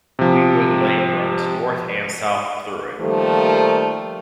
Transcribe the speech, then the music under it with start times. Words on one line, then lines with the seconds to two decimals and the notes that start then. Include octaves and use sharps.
Weetwood Lane runs north and south through it.
0.19 C3 F3
2.99 D#3 F3 G3 A3 A#3